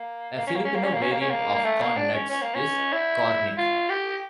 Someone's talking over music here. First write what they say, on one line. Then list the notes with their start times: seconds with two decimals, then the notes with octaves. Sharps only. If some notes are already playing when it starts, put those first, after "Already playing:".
A Filipino variant of corn nuts is "cornick".
Already playing: A#3
0.37 A#3
0.47 C#4
0.56 A#3
0.64 C#4
0.74 A#3
0.83 C#4
0.93 A#3
1.01 C#4
1.11 A#3
1.21 C#4
1.30 A#3
1.54 A#3
1.65 A3
1.81 A#3
1.97 D4
2.13 C#4
2.29 C#4
2.42 A#3
2.54 C#4
2.93 E4
3.57 F4
3.89 G4